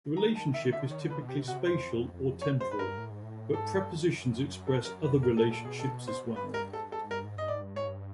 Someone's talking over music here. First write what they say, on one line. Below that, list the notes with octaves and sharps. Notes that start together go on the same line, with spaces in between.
The relationship is typically spatial or temporal, but prepositions express other relationships as well.
D#3 A#5
A5
E5
D3 E5
D#3 C#5
D3
B4
C#3
B2
C3 G4
B2
F#4
C#3
C3
G2 C5
E2
F2
F2
F#2 C#5
C5
G2 B4
A#4
A2
G#2
A2
G#2 A4
G2
F2
F#2
A4
A#4
B4
F2
F#2 A#4
A#2
A2 A4
B2
A#2 A4
B2 G#4
A4
C5
G2 B4
G#2
A#4
G2
G#2 A4
G2
A4
G#2
G2 A#4
G#2
G2 D#5
G#2 D5
G2
G#2 C#5
G2